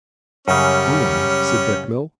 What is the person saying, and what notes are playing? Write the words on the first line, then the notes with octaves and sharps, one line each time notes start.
"Go on," said Bechamel.
F#2 C#3 G3 C#4